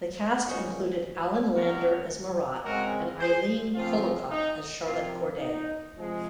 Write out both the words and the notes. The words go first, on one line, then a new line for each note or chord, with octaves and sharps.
The cast included Alan Lander as Marat and Eileen Colocott as Charlotte Corday.
A#2 G#3 C#4 D#4 F#4
A#2 F3 C4 F#4 A#4
C#3 G#3 C4 F#4 A#4
G#4 C5
C#3 F3 C4 F4
D#4
C3 F3 A#3 F4
D#4
C3 F3 G#3